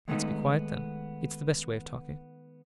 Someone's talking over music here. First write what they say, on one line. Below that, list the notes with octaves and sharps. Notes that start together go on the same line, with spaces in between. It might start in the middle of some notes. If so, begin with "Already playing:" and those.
"Let's be quiet, then: it's the best way of talking."
D#3 G#3 A3 B3 D#4